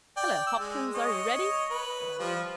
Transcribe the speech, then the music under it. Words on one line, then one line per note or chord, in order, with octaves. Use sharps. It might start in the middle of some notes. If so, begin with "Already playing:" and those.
"Hullo, Hopkins, are you ready," said Irene.
D5 G5
E6
G#3
C#5 D#5
B4
F3 G3